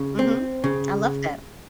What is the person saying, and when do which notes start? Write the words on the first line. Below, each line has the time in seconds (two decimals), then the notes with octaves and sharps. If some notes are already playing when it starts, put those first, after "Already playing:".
Mhm, I love that.
Already playing: C#3
0.19 C4
0.64 C#3